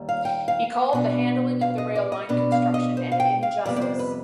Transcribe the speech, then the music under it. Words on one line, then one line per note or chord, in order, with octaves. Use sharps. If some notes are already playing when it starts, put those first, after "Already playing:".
He called the handling of the rail line construction an injustice.
Already playing: D#2 G3
F5
G5
F5
B2 B3 D4
F5
D#5
D5
D#5
B2 B3 D4
F5
D#5
C5
F5
G5
F5
F2 C3 G3 B3 D5
D5
C5
B4